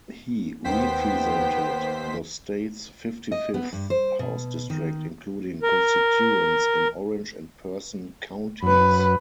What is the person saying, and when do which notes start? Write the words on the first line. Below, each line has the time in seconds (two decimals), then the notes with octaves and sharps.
He represented the state's fifty-fifth House district, including constituents in Orange and Person counties.
0.64 D#2 B3 C5 G5 B6
3.32 D#5
3.54 B3
3.73 G2
3.90 C5
4.19 B2
4.70 D#3
5.63 A#4
8.63 F#2 B4 B5